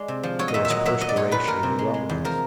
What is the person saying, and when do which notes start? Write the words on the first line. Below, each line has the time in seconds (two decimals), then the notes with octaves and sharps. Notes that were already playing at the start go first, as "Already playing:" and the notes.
There was perspiration and grumblings.
Already playing: G#3 D5
0.08 C3
0.23 F3
0.39 F#3 C#5
0.48 D#5
0.54 A#2 E5
0.65 E5
0.70 F#3 D#5
0.85 F#3 E5
1.01 F#3 D#5
1.09 D5
1.16 A#2 C#5
1.31 A#2 B4
1.47 A#2 A#4
1.63 C3
1.79 G#3
1.94 G#3
2.09 E2
2.24 F3 A#4